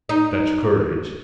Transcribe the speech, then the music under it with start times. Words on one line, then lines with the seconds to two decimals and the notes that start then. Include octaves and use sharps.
Dutch courage.
0.09 D#4